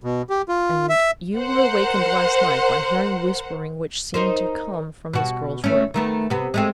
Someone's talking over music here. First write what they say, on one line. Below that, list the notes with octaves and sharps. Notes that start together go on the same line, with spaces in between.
"And you were wakened last night by hearing whispering which seemed to come from this girl's room."
B2
G4
F4
E5
A#4 C5 F#5
D#4 A#4 C5
B2 F#4
A3 C#4
D#3 A3 B3
C3 B3
G#3 A3 C4